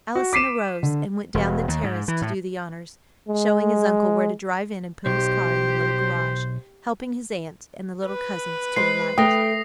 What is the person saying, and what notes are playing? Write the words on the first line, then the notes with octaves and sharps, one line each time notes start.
Allison arose and went down the terrace to do the honors, showing his uncle where to drive in and put his car in the little garage, helping his aunt and the little cousins to alight.
F#4
D6 B6 C7 D#7 E7
D3
E1
D#2
G#2
E3
A2
G#3
B1 G4 C5
B4
G#3 C5 C7
A3 G5 D#6 A#6